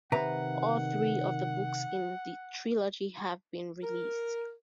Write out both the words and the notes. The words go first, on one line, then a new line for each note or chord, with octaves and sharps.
All three of the books in the trilogy have been released.
C3 D#3 B4 F#5 A#5
A#4